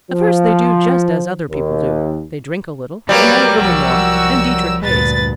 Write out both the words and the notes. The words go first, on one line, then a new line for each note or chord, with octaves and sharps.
At first they do just as other people do, they drink a little and then a little more, and Dietrich pays.
F3
D#2
F#3 G3 A#3 B4 D5
C2 F3 F#4 A#4 E6
D2 G2 A#2 B4 A6